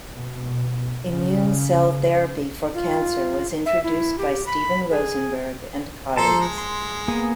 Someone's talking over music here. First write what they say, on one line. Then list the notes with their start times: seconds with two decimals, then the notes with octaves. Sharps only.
Immune cell therapy for cancer was introduced by Steven Rosenberg and colleagues.
0.11 B2
1.09 C#3
2.74 F4
3.66 E5
3.84 E4
4.18 G4
4.46 B5
4.91 G#4
6.17 F3 A4 C5 A5 A#5 C6
6.41 G#3
6.58 C6
7.08 A#3 B3 G#4